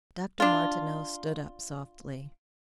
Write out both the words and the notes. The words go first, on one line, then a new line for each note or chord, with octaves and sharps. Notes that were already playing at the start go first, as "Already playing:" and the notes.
Dr. Martineau stood up softly.
D4 F4